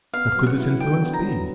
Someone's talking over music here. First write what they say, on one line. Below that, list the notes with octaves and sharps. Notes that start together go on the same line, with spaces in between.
What could this influence be?
B3 F5
F#3
F#5
E4
F#5
D3 G5
B3
A#5
F#3